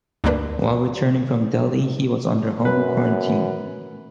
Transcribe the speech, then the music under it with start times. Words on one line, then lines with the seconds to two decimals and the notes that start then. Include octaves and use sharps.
While returning from Delhi he was under home quarantine.
0.24 D2 G2 A#3 D4 B4
2.65 F#2 B4